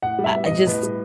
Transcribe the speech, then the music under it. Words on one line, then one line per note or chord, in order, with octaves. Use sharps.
I I just
A2 F#5
G3
E5
B3
D#5
A2
A2 B4
G3